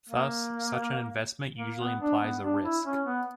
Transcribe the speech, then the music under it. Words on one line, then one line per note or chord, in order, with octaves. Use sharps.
Thus, such an investment usually implies a risk.
A#3
A#3
B3
D4
B3
D4
E4
C#4
B3